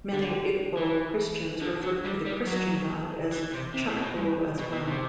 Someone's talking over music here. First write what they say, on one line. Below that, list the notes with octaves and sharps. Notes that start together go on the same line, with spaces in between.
Many Igbo Christians refer to the Christian God as Chukwu as well.
D3
E3
D3
F#3
G3
G3
F#3
E3
C3
C3
A2
B2
A2
G2
B2
B2
C3